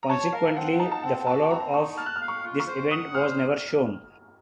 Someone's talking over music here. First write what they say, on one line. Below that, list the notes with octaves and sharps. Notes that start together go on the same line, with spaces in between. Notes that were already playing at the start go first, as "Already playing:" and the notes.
Consequently, the fallout of this event was never shown.
A#5
C#5 A5
A#4 F5
C4 F#5
D#4 A5
A5
C4 F#5
F#4 A5
C4 A#5
D#4 C#6
A5 F6
F#6
F6
F5
C#6
F4
C#6
C5
F#5 D#6
C5 F6